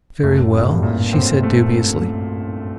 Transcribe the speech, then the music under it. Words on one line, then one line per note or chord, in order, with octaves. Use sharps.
"Very well," she said dubiously.
F#2 A3
C2
A2
G2
A#2
F#2 A2 C4
A3